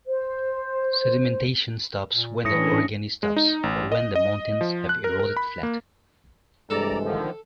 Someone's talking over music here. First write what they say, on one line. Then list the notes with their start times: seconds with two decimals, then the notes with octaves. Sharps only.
Sedimentation stops when the orogeny stops, or when the mountains have eroded flat.
0.06 C5
2.11 A#2
2.45 A2 E3 C#4 D4 G#4 D#6 A#6 C#7
3.23 G#3
3.36 D#4
3.63 A1
3.92 D#5
4.15 D#5
4.61 F3
4.89 F#6
5.04 A#4
5.19 A#4
5.37 B5
5.63 A#3
6.70 G2 C3 E3 G#3 A4 D5 A#5
7.04 D3 D#3 F3